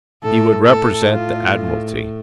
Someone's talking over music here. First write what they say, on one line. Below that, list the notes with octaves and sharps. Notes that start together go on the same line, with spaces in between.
He would represent the Admiralty.
A2 A4
A2 A4
F4